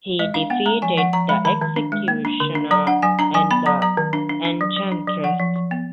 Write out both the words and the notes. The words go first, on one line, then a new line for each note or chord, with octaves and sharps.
He defeated the Executioner and the Enchantress.
G#3 D#5
D4 F5
B3 F#5
G#3 A#5
F3 G#5
F3 F#5
F3 A#5
G#3 B5
D#3 B5
D#3
D4
G#3
A#3
D4
D3
D4
F#3 A#5
D4 F#5
F#3 G#5
D4 A#5
F#3 G#5
B3 B5
F#3 A#5
F#3 A#5
D#3
D4
D4
D4
F#3
F#3
D4
F#3
F3 F#5
F3
F3
B3